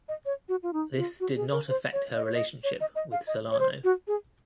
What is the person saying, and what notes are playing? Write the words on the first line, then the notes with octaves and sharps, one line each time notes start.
This did not affect her relationship with Solano.
D#5
C#5
F#4
F4
D#4
F4
F#4
G#4
A#4
C5
C#5
D#5
C#5
D#5
C#5
D#5
D#5
F5
D#5
C#5
C5
F#4
G#4